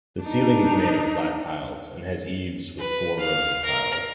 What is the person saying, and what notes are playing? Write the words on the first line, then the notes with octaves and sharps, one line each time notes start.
The ceiling is made of flat tiles and has eaves with four rows of tiles.
D4 D#4
B4
F5
A#4